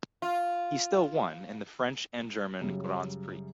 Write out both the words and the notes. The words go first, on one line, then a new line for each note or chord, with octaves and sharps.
He still won in the French and German Grands Prix.
F4
F#2 C#3 G3